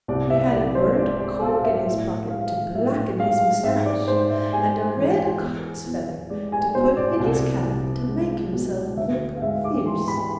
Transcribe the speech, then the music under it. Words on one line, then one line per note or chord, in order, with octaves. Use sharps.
He had a burnt cork in his pocket to blacken his moustache, and a red cock's feather to put in his cap to make himself look fierce.
C2 D5
E5
C2 D5
C5
G#3 D5
D5
B2 F5
E5
A2 E5
G#3 F5
A2 E5
G#3 F5
G#2 E5
D5
G#2 C5
E5
G#3 G#5
E3
E2
E2
G#3 D5
G#5
B2 C5
D5
C2
C2
G#3
B2
D2 E5
F5
G#3 E5
D6
E3 C6
B5